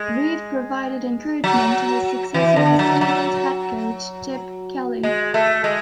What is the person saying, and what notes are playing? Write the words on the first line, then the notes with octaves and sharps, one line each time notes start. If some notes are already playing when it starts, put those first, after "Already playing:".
Reid provided encouragement to his successor as Eagles head coach, Chip Kelly.
Already playing: G#3
F#3
E3
D3
F#3
F#3
G#3
A3
G#3